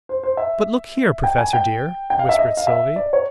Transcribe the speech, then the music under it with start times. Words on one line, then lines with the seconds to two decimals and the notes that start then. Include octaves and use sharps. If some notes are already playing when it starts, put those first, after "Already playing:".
"But look here, Professor dear!" whispered Sylvie.
0.09 C5
0.23 C5
0.37 E5
1.24 G5
1.38 G#5
1.53 G5
2.10 G5
2.19 F5
2.29 E5
2.39 D#5
2.57 F5
2.67 E5
2.96 D5
3.13 C#5